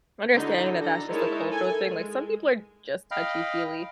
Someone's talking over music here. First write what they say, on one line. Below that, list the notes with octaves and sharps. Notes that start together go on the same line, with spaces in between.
understanding that that's just a cultural thing like, some people are just touchy-feely,
D3 D#4 E4 F#4 D#5
D4 A4 A#5
G#3 D#4 E4 A#4 C#5 A5
A4 G#5
G#3
D#5 F5 G5 B5 F6